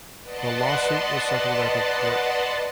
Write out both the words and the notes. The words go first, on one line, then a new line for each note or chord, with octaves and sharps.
The lawsuit was settled out of court.
B4 D5 D#5 F#5 A5 C6